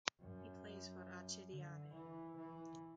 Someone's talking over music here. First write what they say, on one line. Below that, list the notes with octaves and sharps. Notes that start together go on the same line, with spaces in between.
He plays for Acireale.
F#2
D3
E3
E3